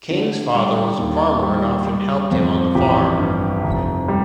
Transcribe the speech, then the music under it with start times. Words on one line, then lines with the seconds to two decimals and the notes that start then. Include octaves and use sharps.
King's father was a farmer and often helped him on the farm.
0.11 D3
0.54 G3
0.99 D#2
1.43 G3
1.87 G3
2.31 F2
2.75 A1 G4
3.19 G2
3.63 F1
4.08 G3